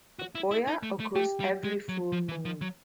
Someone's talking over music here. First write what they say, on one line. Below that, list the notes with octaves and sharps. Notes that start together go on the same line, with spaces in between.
A Poya occurs every full moon.
F#4
E4
E4
D#4
A3
A3
A3 G4
G3
G#3
F#3
F3
E3
F3
F#3